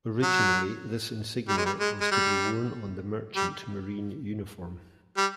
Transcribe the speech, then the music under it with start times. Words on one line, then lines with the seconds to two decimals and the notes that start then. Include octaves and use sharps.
Originally, this insignia was to be worn on the merchant marine uniform.
0.23 F#3
1.48 G3
1.57 G#3
1.66 G3
1.80 G#3
2.01 G#3
2.11 G3
3.36 G3
5.17 G3